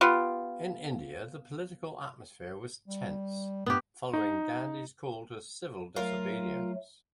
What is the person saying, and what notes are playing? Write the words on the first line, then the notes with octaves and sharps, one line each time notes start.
In India, the political atmosphere was tense, following Gandhi's call to civil disobedience.
B3 F4 G4
G3
G2 B3 G4
D#4
F#3 A3 F4 A#4